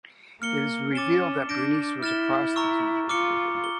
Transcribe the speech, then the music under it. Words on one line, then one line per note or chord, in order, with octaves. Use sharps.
It is revealed that Bernice was a prostitute.
A#3 F6 C#7 G7
C#4 D6 A6 E7 G7
D4 G6 A#6 D7
E4 F6 A6 E7 G7
A#5 C#6 E6
F4 D6 F6 C#7 G7
G7